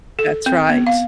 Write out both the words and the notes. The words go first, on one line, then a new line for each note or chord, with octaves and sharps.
That's right.
A4
C4
B3
F5